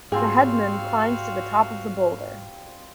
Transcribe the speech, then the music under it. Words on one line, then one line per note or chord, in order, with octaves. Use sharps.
The headman climbs to the top of the boulder.
G#2 G3 C4 F4 F#4 G#4 F5